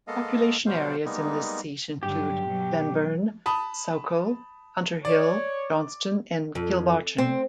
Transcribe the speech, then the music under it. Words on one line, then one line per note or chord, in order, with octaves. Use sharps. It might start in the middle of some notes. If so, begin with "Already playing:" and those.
Population areas in this seat include Glenburn, Saucel and Hunterhill, Johnstone and Kilbarchan.
G#3 A#3 B3 A4 D#5 F5
B2 F#3 G3 C5 F5
G3 G#3 A#3 B3 D#4
G2 D3 F#3 G4
B2 F#3
A5 B5 D#6
C#5 D5
F2
C4